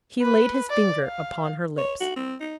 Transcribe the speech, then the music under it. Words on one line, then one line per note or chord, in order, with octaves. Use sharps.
He laid his finger upon her lips.
B4
D5
F5
C#5
F#4
C4
D#4